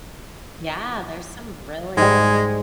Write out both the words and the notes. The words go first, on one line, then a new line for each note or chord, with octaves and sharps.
Yeah, there's some really
G#2 G3 G#3